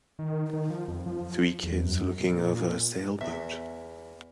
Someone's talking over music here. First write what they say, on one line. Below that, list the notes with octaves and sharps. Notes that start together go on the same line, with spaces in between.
Three kids looking over a sailboat.
D#3
D#3
F3
F2
F3
E2
F#2
A#2
E2 E5